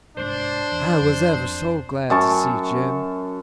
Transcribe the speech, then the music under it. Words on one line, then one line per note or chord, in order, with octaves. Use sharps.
I was ever so glad to see Jim.
G1 C2 G#2 D4 C5
E2
F2
F2 G3 C4
F#2 A5 C#6